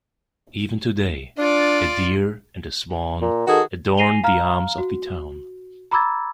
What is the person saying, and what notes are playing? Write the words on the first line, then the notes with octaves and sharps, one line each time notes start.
Even today, a deer and swan adorn the arms of the town.
D4 F4 D5
A#2
D#3 F#4 G#4 A4
G#5 A#6 C7 D#7 F7 G7
F5 A#5 F6
F#4
A#5 B5 D6 E6 G#6 A6